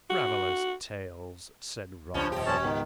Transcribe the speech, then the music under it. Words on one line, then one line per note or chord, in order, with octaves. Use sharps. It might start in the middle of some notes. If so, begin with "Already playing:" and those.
"Travellers' tales," said Raleigh.
F#4
C#2 G2 F3 C#4 D4
D#1 B2 G4
A#2 F3 C#4 C#5 A5
C#2 G#2 D#3 B3